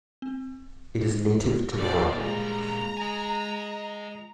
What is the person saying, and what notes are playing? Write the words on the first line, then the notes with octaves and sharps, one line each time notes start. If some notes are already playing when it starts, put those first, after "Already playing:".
It is native to Morocco.
C4
A#2 G3 C5 D5
G#3 F4 G#4 A#5
D#5 G#5